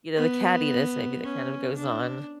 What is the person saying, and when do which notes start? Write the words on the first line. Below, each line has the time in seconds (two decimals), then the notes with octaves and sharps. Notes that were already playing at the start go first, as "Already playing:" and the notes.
you know, the cattiness, maybe, that kind of goes on.
0.17 B3
1.23 C#4
1.77 D4